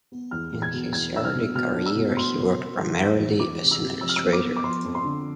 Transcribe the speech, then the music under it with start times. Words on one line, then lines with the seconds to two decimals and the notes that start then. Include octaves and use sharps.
In his early career, he worked primarily as an illustrator.
0.12 B3
0.31 E2 F6
0.52 E2
0.62 G#6
0.73 B2
0.93 E2 G#6
1.14 D4 E6
1.25 F6
1.35 B2
1.55 B2 F6
1.76 D4
1.86 E6
1.96 B2
2.16 B2 C6
2.38 B2
2.58 B2
2.78 E3
3.00 E2
3.20 E2
3.40 E2 D6
3.60 C3
3.71 E6
3.81 C3
4.01 F3 E6
4.09 F6
4.16 E6
4.23 B3
4.33 D6
4.43 B3
4.56 D6
4.64 F3 C6
4.85 F2
4.95 C6
5.04 D3